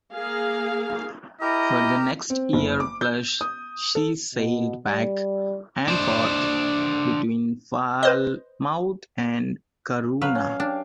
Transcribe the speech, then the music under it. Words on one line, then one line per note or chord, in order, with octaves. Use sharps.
For the next year plus she sailed back and forth between Falmouth and Corunna.
A#3 G#4 F5
E4 G4 A#4 D#5 A#5
C4
F#1
D6
G6
D#6
A4
B2
G3
D4 C5
B4 C5 D#5
F#3 B4 F5
C#4
D4 G4